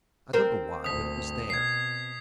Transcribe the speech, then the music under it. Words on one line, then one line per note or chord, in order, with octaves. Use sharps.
I don't know why, but it was there.
C4 A#4
D2 D#6 B6
B2 G#6 C7